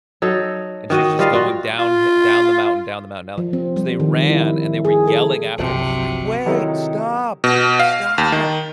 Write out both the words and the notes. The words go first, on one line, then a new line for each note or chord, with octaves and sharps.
and she's just going downhi down the mountain, down the mountain, down so they ran, and they were yelling after her, she's iike, "Wait, stop, stop!"
F#3 D#4 A4
D#3 F#4 D#5
G3 F4 D#5 F5
F4 F#4
F4
F3
C4
G3
D#3
E4
G#4
A4
G1 C2 C3 F3 F#3
C3 D#3 F#3 D#4 E4 A4
B2
F5
D#2
D#3